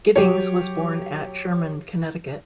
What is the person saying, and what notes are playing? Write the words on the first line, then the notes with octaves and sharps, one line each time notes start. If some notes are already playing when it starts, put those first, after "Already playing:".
Giddings was born at Sherman, Connecticut.
F#3 G4 C#5